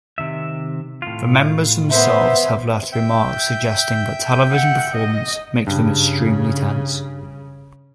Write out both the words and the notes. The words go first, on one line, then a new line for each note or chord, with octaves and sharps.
The members themselves have left remarks suggesting that television performances make them extremely tense.
C3 D#3 E5
A2 F4
B3 C5 E5
E5 G5 G6
F#5
D#5
G2 C#3